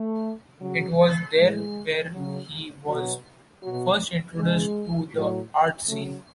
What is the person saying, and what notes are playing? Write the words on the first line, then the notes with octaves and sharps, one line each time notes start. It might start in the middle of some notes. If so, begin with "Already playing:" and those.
It was there where he was first introduced to the art scene.
Already playing: A3
C#3 F#3
A2 E3 G#3
C#3 F#3
B2 F#3
B2 F#3
C#3 E3 G#3
A2 F#3
C#3 F#3 A3